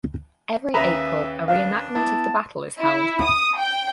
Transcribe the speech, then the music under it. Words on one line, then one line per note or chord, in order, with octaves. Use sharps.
Every April, a reenactment of the battle is held.
D#2 C#3 G#4 B4 E5 A#5 B5
D4 F5
B3 E4 A5
E4
D#6
G5